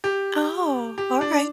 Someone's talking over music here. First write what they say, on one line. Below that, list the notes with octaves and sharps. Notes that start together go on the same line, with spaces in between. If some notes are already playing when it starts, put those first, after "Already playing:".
Oh, alright.
G4
G4
D4